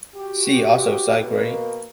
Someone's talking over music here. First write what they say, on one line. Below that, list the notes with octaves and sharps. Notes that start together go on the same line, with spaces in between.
See also: sidegrade.
F#4 G4
B2 A#3